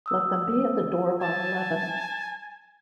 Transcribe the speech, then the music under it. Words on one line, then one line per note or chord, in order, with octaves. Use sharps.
Let them be at the door by eleven.
D#6 E6
G#5 A5